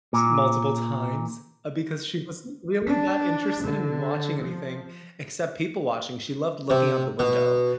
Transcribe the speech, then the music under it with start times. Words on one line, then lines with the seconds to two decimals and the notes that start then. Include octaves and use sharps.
multiple times because she wasn't really that interested in watching anything except people watching, she loved looking out the window,
0.13 A#2
2.86 D4
3.64 D3
4.42 F3
6.70 C3
7.19 B2